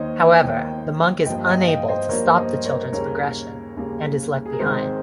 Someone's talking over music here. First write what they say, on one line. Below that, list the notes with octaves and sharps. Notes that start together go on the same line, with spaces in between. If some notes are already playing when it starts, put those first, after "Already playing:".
However, the monk is unable to stop the children's progression and is left behind.
Already playing: D#2 D#3 A#3 C5 C#5 D#5
D#2 D#3 A#3 D#5 G5
G2 F3 A#3 D#5 G5
D#5 G5
F5
D#5 G5
C5 D#5
G2 F3 A#3 A#4 C#5
C5 D#5
A#4 C#5
D#2 C#3 G3 A#3 A#4 C#5
D#2 C#3 G3 A#3
G#4
A#4
G#1 G#2 D#3 G#4 C5